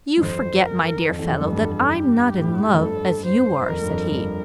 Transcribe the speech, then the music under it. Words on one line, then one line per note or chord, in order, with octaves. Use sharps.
"You forget, my dear fellow, that I'm not in love as you are," said he.
G2
F2 C5
A#4
F2 A4
E2
F2
G2
G2
G4
A2
A2
F2
G2 A4
C5
F2 A#4
G2
F2
G2 A#4